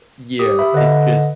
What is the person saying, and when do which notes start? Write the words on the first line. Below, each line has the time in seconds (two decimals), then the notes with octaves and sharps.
year is just
0.39 G4 D#6
0.59 E5 B5
0.74 D3 B4 D#5